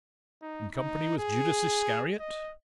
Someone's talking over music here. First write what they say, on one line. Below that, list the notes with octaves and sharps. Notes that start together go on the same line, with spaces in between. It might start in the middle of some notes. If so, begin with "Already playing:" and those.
"In company with Judas Iscariot?"
D#4
D#4
G#4
D#5